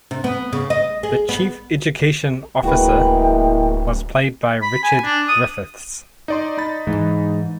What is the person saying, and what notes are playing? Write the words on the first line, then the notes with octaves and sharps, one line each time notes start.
The Chief Education Officer was played by Richard Griffiths.
C3
B3
C#3
D#5
G#4
B3
D1 G#3 A#3 E4 F#4 B4 G5
B5
G#5
D4
D#6
D#4 D5 C6
D#4 B5 A6
G#2 E3